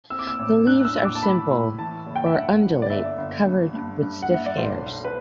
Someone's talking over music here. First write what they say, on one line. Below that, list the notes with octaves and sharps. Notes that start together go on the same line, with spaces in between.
The leaves are simple or undulate, covered with stiff hairs.
C4 E6
D6
E6
A1
D4 F#6
E6
A2
D6
A5
A2 B5
A2
E3 A5
F#1
G5
E5
G2 F#5
G2
D5
G1 E5
G1
G2
G2
G2
F#5
G2 E5
D5
B1 C5
B1
B4